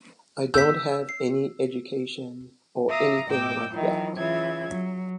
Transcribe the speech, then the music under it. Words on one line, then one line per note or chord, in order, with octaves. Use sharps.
I don’t have any education or anything like that.
E6 G6 B6
C7
E5 F5 A#5 D6 D#6
A2 D#5 G5 D6 E6 G6
D#3 E3 F#3 E4 F4
C#3 E3 F4 E5 G#6
F#3